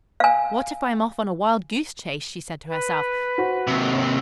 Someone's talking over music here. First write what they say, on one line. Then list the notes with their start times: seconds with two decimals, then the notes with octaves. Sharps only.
"What if I am off on a wild-goose chase?" she said to herself.
0.20 F5 G#5
2.67 B4
3.38 F#4 C5 F#5
3.67 D#2 C3